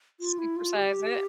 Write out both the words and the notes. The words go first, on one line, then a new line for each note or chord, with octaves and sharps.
Supersize it.
F4
E4
F4
G4